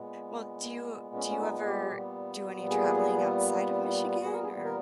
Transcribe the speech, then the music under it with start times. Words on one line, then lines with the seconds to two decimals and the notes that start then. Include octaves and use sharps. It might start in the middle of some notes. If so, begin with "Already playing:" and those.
well, do you do you ever do any traveling outside of Michigan? Or
Already playing: A#2 G#3 B3
1.15 C#4
1.29 C#4
1.41 D#4
1.67 G4
1.92 A#2 G3 B3
2.70 G#4
4.25 G#4
4.33 A#4
4.43 G#4
4.64 A#4